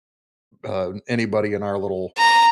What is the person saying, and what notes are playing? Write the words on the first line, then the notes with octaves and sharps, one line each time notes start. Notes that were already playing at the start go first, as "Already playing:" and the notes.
uh, anybody in our little
A#5